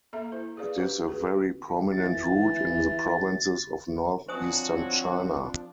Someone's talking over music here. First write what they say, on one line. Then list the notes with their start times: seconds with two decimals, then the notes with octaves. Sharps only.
It is a very prominent route in the provinces of northeastern China.
0.13 A#3 A4 E5 A#5
0.32 E4 C5
0.57 G#4 B4 D5 F5
0.78 D4 G4 B4 C5
1.08 F#4 G#4 B4
1.92 E3 A6
4.29 F3 F#3 C4 D4 F#4 C5 G#5 D#6